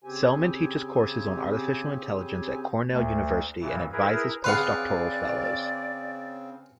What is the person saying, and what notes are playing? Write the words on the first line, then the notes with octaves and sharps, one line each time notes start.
Selman teaches courses on artificial intelligence at Cornell University and advises postdoctoral fellows.
C#3 C4 G4 G#5
D2
F2 A#2 E3
E4 G#4 A#4 B4
C#3 C4 G#4 B4 D5 F5 F#5 C6